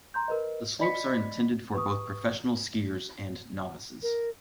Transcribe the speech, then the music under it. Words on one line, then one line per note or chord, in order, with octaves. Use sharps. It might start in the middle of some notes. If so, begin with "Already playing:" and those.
The slopes are intended for both professional skiers and novices.
A#5 C6 G6
A#4 B4 D#5
D5 D#5 B5 B6 C#7
B4 C#6 D#6
A#4